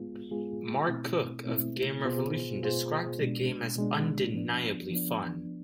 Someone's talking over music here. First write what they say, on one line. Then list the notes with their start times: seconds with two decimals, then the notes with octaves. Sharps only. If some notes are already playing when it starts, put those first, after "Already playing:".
Mark Cooke of Game Revolution described the game as "undeniably fun".
Already playing: G#3 B3 F4 G#4
0.31 G#3 B3 F4 G#4
0.88 B2 A3 C4 E4
1.46 B2 A3 C4 E4
2.04 B2 B3 F4 G#4 C5
2.61 B2 B3 F4 G#4 C5
3.19 B2 G#3 D4
3.76 B2 G#3 D4
4.34 F3 B3 D4
4.91 F3 B3 D4